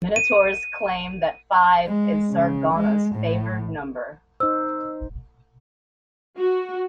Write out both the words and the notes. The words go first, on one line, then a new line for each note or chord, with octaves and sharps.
Minotaurs claim that five is Sargonnas's favored number.
D#7
G#3
C#3
G#3
A2
D#4 C5 E6
F#4